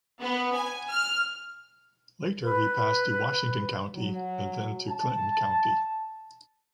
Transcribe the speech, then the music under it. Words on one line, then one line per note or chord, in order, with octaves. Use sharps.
Later he passed to Washington County and then to Clinton County.
B3
G#5
F6
B4
F#3
A5